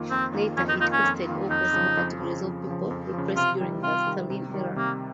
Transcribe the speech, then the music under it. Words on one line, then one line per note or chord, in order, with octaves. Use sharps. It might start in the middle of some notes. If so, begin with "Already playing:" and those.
Later, it hosted all possible categories of people repressed during the Stalin era.
Already playing: F2 D#3 A#3 F4
F2 C4
D#3 A#3 F4
F2 C#4
D#4
D#3 A#3 D#4 F4
C#4
F2
D#3 A#3 F4
F2 D#4
C#3 F3
F2
C#3 F3
F2
C#3 F3
F2
C#3 F3
C3 F4
D#3 G3
C3 F4
D#3 G3
C3
D#3 G3
C3 A#3